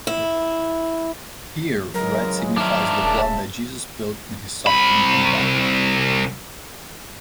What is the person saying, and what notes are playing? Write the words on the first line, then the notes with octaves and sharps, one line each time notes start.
Here, red signifies the blood that Jesus spilled in his suffering and death.
E4
C#3 E3 F#3 G#3 A#4
D#3 F3 D4 A#4 E5
D#1 C#3 G#3 A5
C2 B5